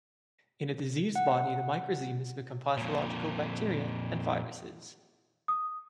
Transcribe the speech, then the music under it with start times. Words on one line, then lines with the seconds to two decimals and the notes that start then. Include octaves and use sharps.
In a diseased body, the microzymas become pathological bacteria and viruses.
1.16 F#5
2.77 F2 A#2
5.48 D#6